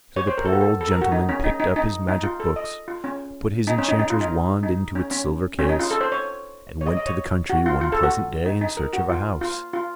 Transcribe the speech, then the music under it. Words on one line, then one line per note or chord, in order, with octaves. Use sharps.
So the poor old gentleman packed up his magic books, put his enchanter's wand into its silver case, and went to the country one pleasant day in search of a house.
C#5
C5
A#4
A4
F#4
A4
A4
A#4
F#4
D#4
C#4
D#4
D#4
D#4
D#4
F4
A4
D#5
F4
C#4
D#4
C#4
D#4
D#4
F4
D#4
D#4
C#4
C#4
C#4
D#4
F4
A4
C5
C#5
C#5
D#5
D#5
C#5
F#4
F4
F4
A4
F#4
D#4
D#4
A#4
F#4
F4
F4
F4